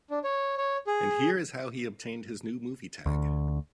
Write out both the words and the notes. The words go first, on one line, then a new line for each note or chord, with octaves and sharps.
And here is how he obtained his new movie tag.
D4
C#5
C#5
G#4
D2